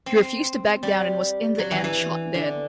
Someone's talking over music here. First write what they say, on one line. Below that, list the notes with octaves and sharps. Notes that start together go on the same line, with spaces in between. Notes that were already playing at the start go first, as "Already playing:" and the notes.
He refused to back down and was in the end shot dead.
C4
G3
F#3
E3
E3
D3